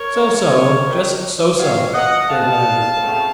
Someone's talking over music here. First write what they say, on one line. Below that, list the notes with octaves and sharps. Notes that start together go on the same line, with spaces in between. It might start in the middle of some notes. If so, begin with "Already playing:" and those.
"So-so, just so-so!" Ned Land replied.
Already playing: A#4 C#5
A#2 F3 A3
C3 D#3 A#3
F#2 D#3 F#3 C4 C#5 F5
D#5 F#5
C#3 A3 C4 F5 A5
C#3 F#3 A3 C4